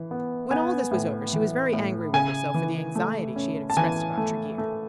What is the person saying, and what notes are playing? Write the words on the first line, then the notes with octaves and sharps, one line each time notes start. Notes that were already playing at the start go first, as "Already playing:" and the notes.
When all this was over she was very angry with herself for the anxiety she had expressed about Tregear.
Already playing: E3
B3
B3 G#5
A2
E3
A2
C#3 G#5
E3
A3
C#4
A5
E3 G#5
A3
A3